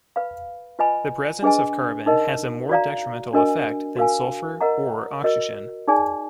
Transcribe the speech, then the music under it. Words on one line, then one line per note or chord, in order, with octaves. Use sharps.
The presence of carbon has a more detrimental effect than sulfur or oxygen.
B4 F5 B5
F4 B4 D#5 G#5 B5
D4 G#4 B4 D#5 G#5
D#4 A#4 D#5
F#4 D5 F5 A#5
D4 F#4 A#4 D#5 G#5
F#4 A#4 F5 G#5
A#4 D#5 F#5 A#5
F#4 A#4 D#5
D#4 G#4 D5 G#5